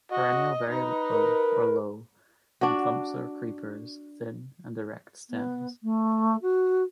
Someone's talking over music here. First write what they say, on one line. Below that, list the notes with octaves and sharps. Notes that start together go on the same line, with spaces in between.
Perennial very low or low, in clumps or creepers; thin and erect stems.
F#4 D#5
D#4 B4
A#4
D4 F#4
B3
A3
F#4